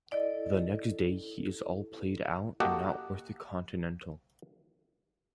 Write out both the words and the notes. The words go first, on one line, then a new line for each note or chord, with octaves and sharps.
The next day he is all played out and not worth a continental.
E4 A4 D5 D#5
A#3 F#4 G4 A4 D#5 F#5